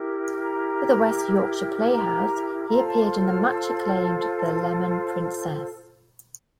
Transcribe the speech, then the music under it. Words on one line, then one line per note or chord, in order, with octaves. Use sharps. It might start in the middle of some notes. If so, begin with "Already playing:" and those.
For the West Yorkshire Playhouse he appeared in the much acclaimed "The Lemon Princess".
Already playing: E4 G4 A#4
A#5
A#5
F4 A4 C5 A#5
A5
D6
C6
G6
F6
E6
F6